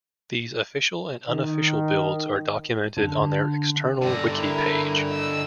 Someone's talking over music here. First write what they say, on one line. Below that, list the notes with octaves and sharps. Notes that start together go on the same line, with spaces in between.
These official and unofficial builds are documented on their external wiki page.
D#3
D3
G2 D3 D5 A#6
E4 A#4
D#5 E6